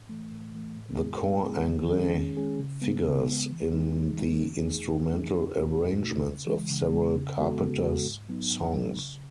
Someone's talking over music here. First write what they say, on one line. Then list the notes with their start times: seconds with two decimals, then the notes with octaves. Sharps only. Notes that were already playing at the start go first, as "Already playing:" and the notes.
The cor anglais figures in the instrumental arrangements of several Carpenters songs.
Already playing: A2
0.09 E3 A3
0.32 A2
0.54 E3 A3
0.77 A2
0.99 G#3 B3 E4 G#4
1.22 A2
1.45 G#3 B3 E4 G#4
1.69 D#3
1.91 G#3 C#4 G#4
2.14 D#3
2.37 G#3 C#4 G#4
2.59 C#3
2.82 G#3 B3
3.05 C#3
3.27 G#3 B3
3.51 E3
3.72 G#3 D#4 G#4
3.96 E3
4.18 G#3 D#4 G#4
4.41 F#2
4.64 E3 A3 D#4 G#4
4.87 F#2
5.10 E3 A3 D#4 G#4
5.32 E2
5.55 B2 A3 D#4 F#4
5.78 E2
6.01 B2 A3 D#4 F#4
6.23 C#3
6.46 E3 G#3
6.70 C#3
6.92 E3 G#3
7.15 C#3
7.37 G#3 B3 F#4 A4
7.60 C#3
7.83 G#3 B3 F#4 A4
8.05 G#2
8.29 F#3 B3 D#4
8.51 G#2
8.73 F#3 B3 D#4
8.97 C#3